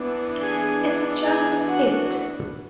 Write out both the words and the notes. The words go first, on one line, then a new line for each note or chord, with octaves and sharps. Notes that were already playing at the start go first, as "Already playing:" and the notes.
It's just 'It'.
Already playing: E3 B3 D4
G#4 G#5
G#4 G#5
F#4 F#5